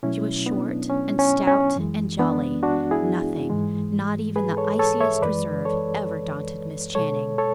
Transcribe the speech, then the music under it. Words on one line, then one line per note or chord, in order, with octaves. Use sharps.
She was short and stout and jolly; nothing, not even the iciest reserve, ever daunted Miss Channing.
B2 F#3 A3 C#4 E4
B3 D4
C#4
C#4
C#4
F#2 E3 G#3
B3 D4
D4 F#4
E4 G#4
G#2 E3 G#3
G#4 B4
A4 C#5
A4 C#5
C#5 E5
F#2 E3 G#3 B4 D5
A4 C#5
B2 G#3 A4 C#5
A4 C#5